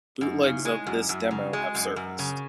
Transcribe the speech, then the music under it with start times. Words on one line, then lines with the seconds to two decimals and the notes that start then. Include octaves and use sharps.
Bootlegs of this demo have surfaced.
0.21 F#2 D#4
0.43 C#3
0.54 E4
0.65 G#3
0.87 F#2 F#4
1.09 F#2
1.31 C#3
1.47 F#4
1.53 G#3 G#4
1.75 F#2
1.85 A#4
1.96 F#2
2.19 C#3 G#4